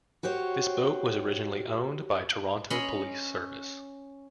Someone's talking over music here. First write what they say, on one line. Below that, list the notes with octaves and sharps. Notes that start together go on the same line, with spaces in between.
This boat was originally owned by Toronto Police Service.
F#4 G4 C5 C#5
C#4 D#5 B5 C6